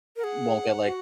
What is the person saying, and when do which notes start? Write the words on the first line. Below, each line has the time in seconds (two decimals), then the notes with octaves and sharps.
won't get like
0.16 A#4
0.23 G#4 F#5
0.85 F#4